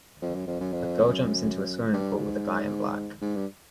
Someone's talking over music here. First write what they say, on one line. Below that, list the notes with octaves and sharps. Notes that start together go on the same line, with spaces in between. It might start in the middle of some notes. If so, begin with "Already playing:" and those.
A girl jumps into a swimming pool with a guy in black.
F2
F#2
F2
F#2
F2
F#2
G2
G#2
G#2
G2